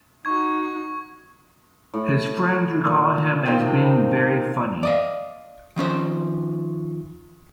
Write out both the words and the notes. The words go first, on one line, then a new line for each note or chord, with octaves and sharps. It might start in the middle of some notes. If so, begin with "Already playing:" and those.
His friends recall him as being very funny.
D#4 F#4 C#6 G#6
A2
A#2
D#3 F3 C4 G5
C3
D5 D#5 F5
D#3 F3 C#4 C5